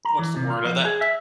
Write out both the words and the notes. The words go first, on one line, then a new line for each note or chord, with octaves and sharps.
What's the word uh, that
A#5
E3
C3
F4
F3
G#4
E5